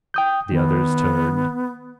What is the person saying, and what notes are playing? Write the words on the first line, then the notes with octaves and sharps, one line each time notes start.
The others turned.
G5 D#6 G6
D#3 B3